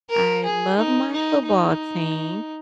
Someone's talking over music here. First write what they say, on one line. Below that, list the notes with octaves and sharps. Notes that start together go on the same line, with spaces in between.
I love my football team.
A#4
G#4
D#4
D#4
D#4